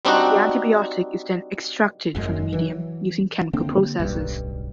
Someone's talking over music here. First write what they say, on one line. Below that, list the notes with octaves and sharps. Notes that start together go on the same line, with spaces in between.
The antibiotic is then extracted from the medium using chemical processes.
G3 C4 D4 D#4 F#4
F#1 F#2 A#2 G#3
E3 F#3
D3 A#3 C4 D4
D1 B1 G2